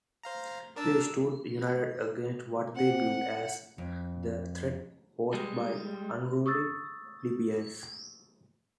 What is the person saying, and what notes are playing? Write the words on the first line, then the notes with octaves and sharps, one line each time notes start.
They stood united against what they viewed as the threat posed by unruly plebeians.
C5 F5 A#5
D4 A#4 D5 A5 E6
C4 F#5
F2
G3 G#3
C#6 D#6 E6 A6